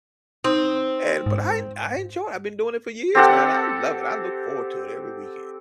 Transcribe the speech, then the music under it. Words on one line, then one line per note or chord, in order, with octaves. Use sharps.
And but I I enjoy it, I've been doing it for years now, and I love it I look forward to it every weekend,
C4 D#4
G#2
C4 G4 A4 F#5